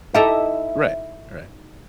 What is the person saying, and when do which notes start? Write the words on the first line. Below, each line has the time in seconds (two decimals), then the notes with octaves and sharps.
Right, right.
0.14 D#4 E4 G4 A4 E5 A#5